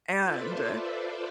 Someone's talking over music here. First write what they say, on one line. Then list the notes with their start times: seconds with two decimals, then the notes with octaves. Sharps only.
and, eh
0.24 F4 A4 B4 C5 D5 E5